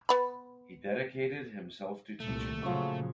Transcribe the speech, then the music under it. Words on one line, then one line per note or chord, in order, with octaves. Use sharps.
He dedicated himself to teaching.
B3 B5
C2 A#2 A3
A#2 C#3 F3 F#3 C#6